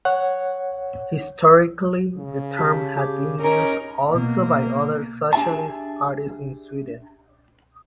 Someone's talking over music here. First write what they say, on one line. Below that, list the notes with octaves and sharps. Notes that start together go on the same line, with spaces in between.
Historically the term had been used also by other socialist parties in Sweden.
C#5 F#5
C#3
G4 A5 B6
G4 G#4 D6
C#4 D#4 A#4
B2 A#3
D4 G4 G#4 E5 G#5 A5